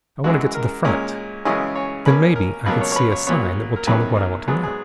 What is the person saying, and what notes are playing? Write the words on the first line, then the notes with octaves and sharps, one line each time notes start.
"I want to get to the front. Then, maybe, I can see a sign that will tell me what I want to know."
F#2 E3 G#3 F#4
A#4
A#2 G#3 C#4 A#4
F#2 C#3 E3 G#3 C#4 D#5
C#5
B2 A#3 C#4 B4
A#4
C#2 B2 F#3 A#3 B4
C#5
C#5
B4
C#5
A#2 F#3 B3 C#5
A#4
E2 D#3 F#3 A#3 C#4 B4
A#4
G#2 F#3 B3 G#4
G#4